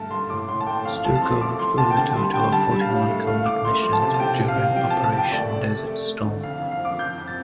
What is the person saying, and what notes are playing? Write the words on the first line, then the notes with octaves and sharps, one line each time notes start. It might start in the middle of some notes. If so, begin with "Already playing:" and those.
Sturckow flew a total of forty-one combat missions during Operation Desert Storm.
Already playing: G2 A3 A5
G2 C6
A2 D6
A2 C6
A5
A3 G5
F2 F5
F2 A5
A5
F3 C6
A3 D6
F3 C6
C3 A5
G5
D3 A5
G3 C6
D3 G5
G3 A5
G3
F5
A2
A3
A3 F5
A3 D6
A3 C6
F3
A5
C3
A5
C3 G5
C3
F5
C3
F3 G5
C3 A5
A5
F2 G5
A3 D5
C3
A3
A3
A3
D3
F2 F5
F2 F5
F5
F3 D6
F2 G6
F2
A6